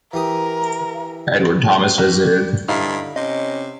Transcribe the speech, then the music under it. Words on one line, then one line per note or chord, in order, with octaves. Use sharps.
Edward Thomas visited.
E3 G4 A#4 D#6
G3 F#4
G2 D3 D#4 E4 F5
C3 C#4 D#5